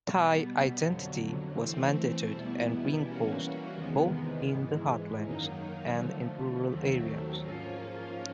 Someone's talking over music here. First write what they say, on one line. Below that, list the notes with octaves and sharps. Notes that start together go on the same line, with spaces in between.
Thai identity was mandated and reinforced both in the heartlands and in rural areas.
B2 G3 B3
F2 D3 F#3
E3 A3 C4
E2 B2 G3 B3 E4
E3 G3 A#3 C#4 F#4
E2 C3 D#3 G#3 B3
G#2 E3 G#3
F#2 D#3 F#3 A#3 D#4
D3 F3 A3
D#2 D#3 F#3 A3 C4
G#2 F3 A#3 C#4 F4